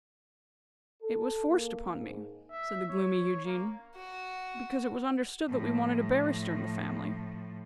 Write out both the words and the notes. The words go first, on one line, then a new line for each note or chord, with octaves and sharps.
'It was forced upon me,' said the gloomy Eugene, 'because it was understood that we wanted a barrister in the family.
A4
A#3
G#2
E5
C#5
A#3
F#4
A2 F3